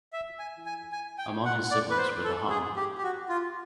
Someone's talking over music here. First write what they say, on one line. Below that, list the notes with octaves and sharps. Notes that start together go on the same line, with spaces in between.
Among his siblings were the Hon.
E5
G#5
G#5
G#5
G5
F#5
D5
B4
C5
A4
G#4
G4
G4
F#4
F4